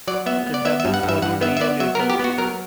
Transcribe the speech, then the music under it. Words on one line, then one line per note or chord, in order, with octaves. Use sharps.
The double followed a year later.
F#3 D5
B3 E5
B3
D5
B3 E5
E5
G2
F#5
G2
E5
G2 F#5
B3 E5
E5
B3 D5
F#3 E5
A#4
B3
G4
B3 F#4
F#3 A#4